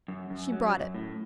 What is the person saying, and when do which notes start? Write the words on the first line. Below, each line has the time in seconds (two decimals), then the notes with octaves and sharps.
She brought it.
0.08 F#2
0.30 F#2
0.52 F#3
0.73 F#2
0.94 A2